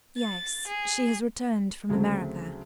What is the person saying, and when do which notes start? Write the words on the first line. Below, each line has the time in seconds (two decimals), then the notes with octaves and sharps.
"Yes; she has returned from America."
0.17 A6
0.68 G#4
1.89 D2 C#3 F#3 A3 C4